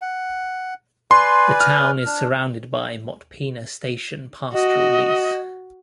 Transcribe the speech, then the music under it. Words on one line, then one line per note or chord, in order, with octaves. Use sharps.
The town is surrounded by Motpena station pastoral lease.
F#5
B4 D5 G#5 C6
F6
D4
F#4 D#5